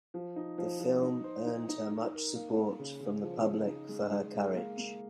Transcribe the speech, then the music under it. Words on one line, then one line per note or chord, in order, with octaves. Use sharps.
The film earned her much support from the public for her courage.
F3
D#4
F3
F3
D#4
C5
D#4
D#4
D#4
A#4
A#3
A#3
C#3
C#3
F3
C#3
D#4
G#3
G#3
G#3
A#3
A#3